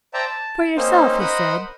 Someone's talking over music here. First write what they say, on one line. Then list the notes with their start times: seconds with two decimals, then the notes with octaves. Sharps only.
'For yourself,' he said.
0.14 C5 D5 E5 G5 A5 A#5
0.27 A5
0.77 A#3 C4 C#4 D#4 C5
1.20 A#4 C5 D#5 F#5 B5